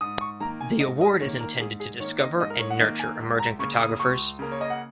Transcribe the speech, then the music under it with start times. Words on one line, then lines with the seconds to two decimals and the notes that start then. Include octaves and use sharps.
The award is intended to discover and nurture emerging photographers.
0.01 G#2 D#6
0.21 C#6
0.40 D#3 A#3 A#5
0.61 G#5
0.80 G#2 D#5
1.01 D#5
1.21 D#3 A#3 C#5
1.40 A#4
1.60 G#2 G#4
1.80 G#4
2.00 D#3 C#5
2.04 A#3
2.20 D#5
2.40 G#2 D#5
2.50 A#4
2.60 C#5
2.70 F#5
2.79 D#3 A#3 D#5
2.99 G#5
3.20 C#2
3.39 A#5
3.59 C#3 A#3 C#6
3.80 D#6
3.99 C#2 C#6
4.39 C#3 A#3 A#4
4.52 C#5
4.61 D#5
4.70 F#5